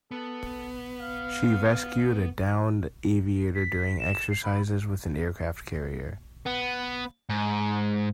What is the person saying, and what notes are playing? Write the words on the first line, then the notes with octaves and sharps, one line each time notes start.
She rescued a downed aviator during exercises with an aircraft carrier.
B3 A4
F5
B6
E7
C7
B5
B3
G#2